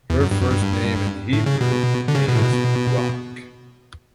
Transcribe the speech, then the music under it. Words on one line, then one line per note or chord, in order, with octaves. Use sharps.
Her first name in Hebrew means "rock".
E2
F#2
G2
F#2
G2
A2
C#3
B2
D3
C#3
B2
A2
B2